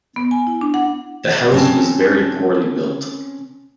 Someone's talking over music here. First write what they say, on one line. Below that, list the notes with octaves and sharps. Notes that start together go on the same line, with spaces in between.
The house was very poorly built.
B3
G#5
E4
D4
F#5
C4 C#4 A5